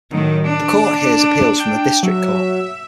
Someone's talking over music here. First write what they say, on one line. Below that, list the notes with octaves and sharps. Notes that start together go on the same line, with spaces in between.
The court hears appeals from the district court.
A2 D#3 F#3
D4
G5
F#3 E5